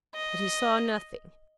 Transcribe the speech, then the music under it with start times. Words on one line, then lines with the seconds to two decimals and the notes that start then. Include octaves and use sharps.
But he saw nothing.
0.15 D#5